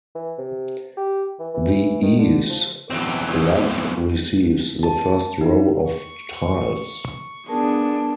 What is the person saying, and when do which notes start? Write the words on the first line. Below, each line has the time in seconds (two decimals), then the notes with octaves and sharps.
The eaves lath receives the first row of tiles.
0.15 E3
0.38 C3
0.97 G4
1.39 E3
1.54 E3
2.02 D#3
2.18 D3
2.50 F3
2.90 E2 C4
4.83 A5
5.41 D#4
5.90 C#6
7.48 B3 D4 G#4 A#4 A5